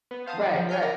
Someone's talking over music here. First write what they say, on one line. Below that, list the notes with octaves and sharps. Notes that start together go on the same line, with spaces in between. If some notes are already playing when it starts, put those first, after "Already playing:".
Right, right.
B3
C5 F5 A5 D#6
F#3 D#4 D5
F3
C#5 G#5 F6 G6 B6
B3 A#4 D5